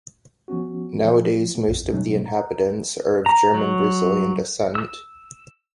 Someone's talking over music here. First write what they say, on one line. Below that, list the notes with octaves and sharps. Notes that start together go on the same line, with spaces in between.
Nowadays, most of the inhabitants are of German-Brazilian descent.
F3 B3 C#4 F#4
F3
A#3
A#1 F2
B2 F#3 G3 A3 C#4 D#4
A#5
A#5
F#3
E6